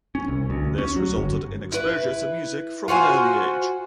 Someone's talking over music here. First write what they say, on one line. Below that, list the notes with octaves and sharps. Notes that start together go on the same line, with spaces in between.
This resulted in exposure to music from an early age.
C#4
C2
D2
C#4
F#3
G1
E4 B4
F4 F#4 C5 G#5